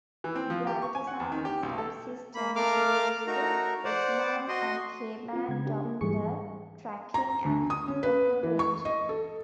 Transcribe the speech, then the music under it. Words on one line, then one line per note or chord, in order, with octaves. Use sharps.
Gravity science subsystems use the X-band and K-band Doppler tracking and autoranging.
E3
C4
F3
G4
C#6
G#5
F#5
E2
D#3
G4
B1
A4
A#3 B5
A3 A#4 F5 D6 F6
A3 D#4 F#4 A#4 A#5
C5 D5 F#5
F#4 D#5 C6
C4 F4
C#3 G#3 G#6
D4 G4
A#3
G#2 E3 G3 G#4 C#6 C#7
A#5
D2
D#6
C#4
B4
E3
C#6
D#5
A4